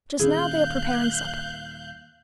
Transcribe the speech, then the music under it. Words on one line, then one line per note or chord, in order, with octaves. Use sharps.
Just now they are preparing supper.'
D#1 D#2 C#4 E4 G#4 F5 F#6 G6